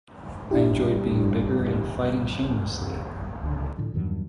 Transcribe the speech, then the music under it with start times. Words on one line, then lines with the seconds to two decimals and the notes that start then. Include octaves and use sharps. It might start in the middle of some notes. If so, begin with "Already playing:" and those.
I enjoyed being bigger and fighting shamelessly.
0.51 G2 D4 E4 G4
3.43 C#2 D3
3.77 A2 D3 F3
3.94 E2 G2 D#3 F#3